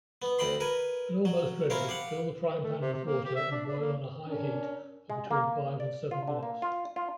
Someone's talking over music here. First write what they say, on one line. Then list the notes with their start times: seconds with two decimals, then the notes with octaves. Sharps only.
When almost ready, fill the frying pan with water and boil on a high heat for between five and seven minutes.
0.22 B3
0.39 D2 C4 G5 B5 C6
0.60 A#4 B4 G#5
1.25 F#3
1.70 C4 C#4 E4 A#4 F5
1.89 G4 F5 F#5
2.63 A3
2.81 C3
2.93 C3
3.05 A#3
3.24 G4
3.36 E5
3.51 D4
3.66 D4
3.79 A#3
4.26 C#4 D4 A#4
5.10 G#3
5.31 A#3
5.80 D5
6.11 F4
6.27 D3
6.43 A#3
6.62 F4
6.96 F4